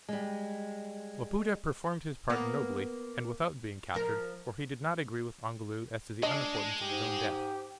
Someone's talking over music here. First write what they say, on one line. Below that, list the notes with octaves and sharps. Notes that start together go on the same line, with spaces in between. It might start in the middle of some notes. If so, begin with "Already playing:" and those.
Wapoota performed his part nobly--and without being captured, for he did not agree with Ongoloo as to the unimportance of his own death!
G3 G#3
A#3 B3
F3 A#4
G#3 D4 D#5
G#2 G4